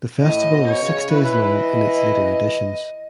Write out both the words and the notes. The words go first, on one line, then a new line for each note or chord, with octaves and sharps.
The festival was six days long in its later editions.
A2 D#5
B2
C#5
C#3
E3 B4
D#5